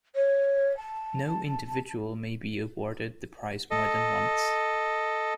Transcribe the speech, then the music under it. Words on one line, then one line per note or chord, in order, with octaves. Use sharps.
No individual may be awarded the prize more than once.
C#5
A5
A4 D#5